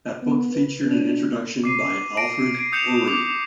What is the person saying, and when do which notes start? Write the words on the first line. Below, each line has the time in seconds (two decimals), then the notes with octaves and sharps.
That book featured an introduction by Alfred Uhry.
0.23 B3
0.54 B4
0.87 D4
1.64 D6 C7 D#7
2.17 A#6 D7 D#7
2.55 G#6 C7 D7
2.72 D#6 G6 C#7 E7 F7
3.08 D6 F7